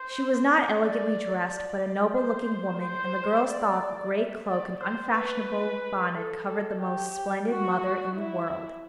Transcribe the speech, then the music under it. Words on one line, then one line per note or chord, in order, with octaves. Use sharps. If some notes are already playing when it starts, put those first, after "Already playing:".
She was not elegantly dressed, but a noble-looking woman, and the girls thought the gray cloak and unfashionable bonnet covered the most splendid mother in the world.
Already playing: C5
D5
D5
C5
C5
D5
E5
D5
C5
B4
A4
A4
G4
F#4
E4